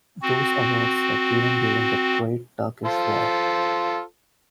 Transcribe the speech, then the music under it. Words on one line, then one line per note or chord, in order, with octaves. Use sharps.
Those awards were given during the Great Turkish War.
C4 F#4
F4 A4 C5